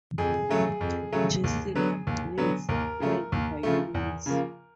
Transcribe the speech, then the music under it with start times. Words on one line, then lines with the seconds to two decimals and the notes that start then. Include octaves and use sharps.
Jessica Billey supplied violins.
0.18 F2 G#4
0.49 C#3 F#3 A3
0.81 F2
1.12 C#3 F#3 A3
1.44 D#2
1.75 D3 F#3 B3
2.07 D#2
2.38 D3 F#3 B3
2.69 D#2 A#4
3.00 C#3 F3 A3
3.32 D#2
3.63 C#3 F3 A3
3.94 E2
4.26 C#3 F3 A#3